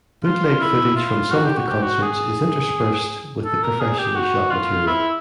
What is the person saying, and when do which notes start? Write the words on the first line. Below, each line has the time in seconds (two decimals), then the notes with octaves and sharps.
Bootleg footage from some of the concerts is interspersed with the professionally shot material.
0.24 F4
0.60 E4
0.96 F4
1.31 F#4
1.45 G4
1.57 F#4
1.70 G4
1.83 F#4
2.02 G#4
3.45 A4
3.63 A#4
3.80 G#4
3.98 G4
4.16 F#4
4.51 F4
4.87 E4